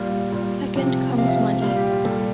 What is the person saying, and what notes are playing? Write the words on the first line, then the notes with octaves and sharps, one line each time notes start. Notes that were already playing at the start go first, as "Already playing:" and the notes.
Second comes money.
Already playing: A#2 G3 F5
A#2 G3
C3 F3
C3 F3 F5
E5
F5
A#2 G3 F5
G4
F4
A#2 G3 A4